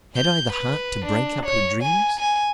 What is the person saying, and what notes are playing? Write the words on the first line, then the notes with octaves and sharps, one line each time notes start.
Had I the heart to break up her dreams?
G6
B4
D4
C#5
G#5
G#5